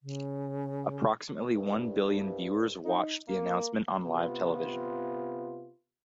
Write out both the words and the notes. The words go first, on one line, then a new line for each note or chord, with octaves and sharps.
Approximately one billion viewers watched the announcement on live television.
C#3
C2 G2
D#4
A#3
C3 B3 F4